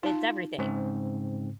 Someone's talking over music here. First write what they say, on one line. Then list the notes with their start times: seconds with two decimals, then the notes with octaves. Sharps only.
It's everything,
0.03 D#4 F4 A5
0.59 G#2 C#3 C4